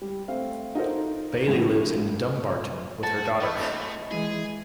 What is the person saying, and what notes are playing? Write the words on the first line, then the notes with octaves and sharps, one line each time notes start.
Baillie lives in Dumbarton with her daughter.
G3
A3 C4 F5
D#4 F4 F#4 A4 A#4 C5
A1 F2 A2 D3 F7
F#4 A5
A3 D#5 B5
E3 G#3 E4 G#4